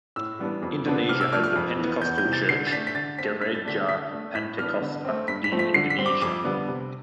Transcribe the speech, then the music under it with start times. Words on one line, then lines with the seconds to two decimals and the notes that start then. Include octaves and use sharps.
Indonesia has the pentecostal church Gereja Pantekosta di Indonesia.
0.16 A2 E6
0.39 E3 G3 B3 D4
0.62 F2
0.86 D3 F3 B3 D4
1.09 C3 F6
1.21 E6
1.32 F3 A3 D4 F6
1.43 F6
1.56 F2
1.78 E3
1.83 B3
2.02 E2 G6
2.18 G6
2.25 C3 E3
2.33 A6
2.49 D3 C7
2.67 A6
2.72 A3 D4 B6
2.87 B6
2.95 D3 A6
3.19 A3 C4 B6
3.42 G2 B6
3.55 A6
3.65 D3 A3 D4 B6
3.88 D3 B6
4.11 A3 D4
4.35 A2 B6
4.59 E3 B3 D4 F6
4.81 D3
5.05 A3 C4
5.28 G2 B6
5.44 B6
5.52 F3 A3 C4
5.59 B6
5.74 D3 C7
5.90 B6
5.98 G3 C4
6.06 D6
6.21 F2 D6
6.44 D3 G3 B3
6.68 C3